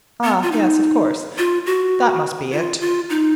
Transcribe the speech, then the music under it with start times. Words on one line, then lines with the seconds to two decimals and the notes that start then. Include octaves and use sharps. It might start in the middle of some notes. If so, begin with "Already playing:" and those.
Ah yes, of course, that must be it.
0.24 B3
0.43 F4
0.52 D#4
1.38 F4
1.66 F#4
2.52 F4
2.81 F4
3.10 D#4